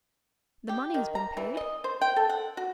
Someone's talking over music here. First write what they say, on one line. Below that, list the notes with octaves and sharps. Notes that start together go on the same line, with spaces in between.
The money has been paid.
G4
D#3
A#5
E3
D#5
C5
G5
A4
F#5
F#4